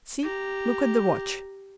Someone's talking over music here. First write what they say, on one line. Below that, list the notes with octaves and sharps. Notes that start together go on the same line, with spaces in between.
See, look at the watch.
G4 A#5